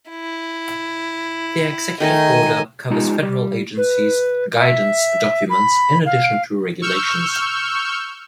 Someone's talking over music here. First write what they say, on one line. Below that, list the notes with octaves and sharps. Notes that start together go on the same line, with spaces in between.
The Executive Order covers federal agencies' "guidance documents", in addition to regulations.
E4
D#3 A3 D#4 D#5 G#5
G#3 D#4 F4 G4
G3
B4
E5
B5
F5
C#6 E6 F6 G6